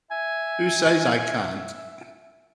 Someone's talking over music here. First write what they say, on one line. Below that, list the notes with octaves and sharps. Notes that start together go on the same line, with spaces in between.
Who says I can't?
E5 G#5